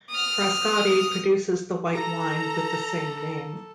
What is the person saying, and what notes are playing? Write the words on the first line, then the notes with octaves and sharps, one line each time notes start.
Frascati produces the white wine with the same name.
D#6 F6
A4 A#5